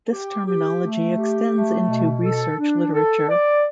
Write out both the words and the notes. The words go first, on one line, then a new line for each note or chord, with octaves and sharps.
This terminology extends into research literature.
G4
G4
A3
G4
A3
B2
A4
D4
A4
D5